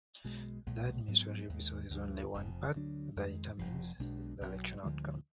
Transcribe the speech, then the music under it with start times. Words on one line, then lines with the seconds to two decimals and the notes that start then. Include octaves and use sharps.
The administrative resource is only one part that determines the election outcome.
0.24 B1 B2 G#3
0.66 B1 A#2 G#3
1.08 G#2 F#3 B3
1.49 D#2 D#3 G#3
1.91 D2 D3 F3
2.33 F1 F2 F3
2.75 D2 D3 F#3 D4
3.16 F2 D#3 G#3
3.57 F1 F2 F3
3.99 B1 B2 G#3 D4
4.41 B1 B2 F#3
4.83 D2 D3 F3 G#3